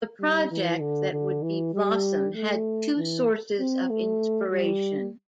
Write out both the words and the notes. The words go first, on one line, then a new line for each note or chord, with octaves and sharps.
The project that would be "Blossom" had two sources of inspiration.
G3
E3
D3
D3
E3
G3
A3
E3
C4
A3
G3